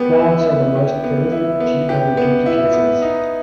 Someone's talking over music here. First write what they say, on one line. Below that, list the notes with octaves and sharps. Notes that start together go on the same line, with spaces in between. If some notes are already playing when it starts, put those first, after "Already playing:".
Plants are the most prolific genome duplicators.
Already playing: B3 G4
E4
B3
G4
B3
E4
B3
G4
B3
E4
B3
D#4